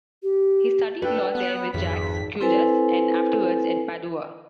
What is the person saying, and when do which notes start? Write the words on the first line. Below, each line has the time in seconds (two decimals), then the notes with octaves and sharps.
He studied law there with Jacques Cujas, and afterwards at Padua.
0.23 G4
1.02 D4 F#4 A4 B4 G5
1.35 B3 F#5
1.74 G#1 F2 B6
2.40 C4 E4 A4 B4 C5 G#5